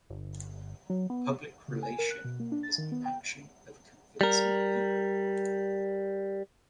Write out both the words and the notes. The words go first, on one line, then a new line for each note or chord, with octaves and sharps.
Public relation is an action of convincing people.
G1
F#3
B3
C#3
G#5
A#4
F#6
B2
A#3
D4
A6
D#3
B3
G5
G3 A#4